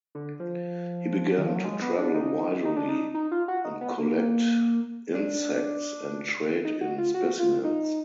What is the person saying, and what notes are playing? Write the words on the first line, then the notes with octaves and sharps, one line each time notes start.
He began to travel widely and collect insects and trade in specimens.
D3
F3
D#3
F3
F#3
G#3
B3
D4
D#4
D#4
D4
D#4
D#4
F4
F#4
D#4
B3
A#3
D4
D#4
F#4
F4
F#4
F4
D#4